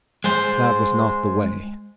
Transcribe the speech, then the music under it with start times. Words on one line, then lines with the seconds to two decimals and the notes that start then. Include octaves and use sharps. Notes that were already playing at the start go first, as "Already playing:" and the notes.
That was not the way.
0.24 G#3 C5